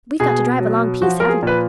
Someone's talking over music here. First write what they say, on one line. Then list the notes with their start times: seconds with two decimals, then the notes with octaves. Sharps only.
We've got to drive a long piece, haven't we?
0.20 B2 G#4
0.61 F#3
1.02 F3 F#4
1.20 A#4
1.29 G#4
1.43 A#2 B4